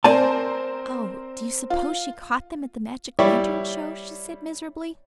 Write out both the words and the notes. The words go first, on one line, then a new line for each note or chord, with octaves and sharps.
"Oh, do you suppose she caught them at the magic lantern show?" she said miserably.
C4 A#4 C5 D5 G#5 A5
F4
G3 E4 G4 C#5 D5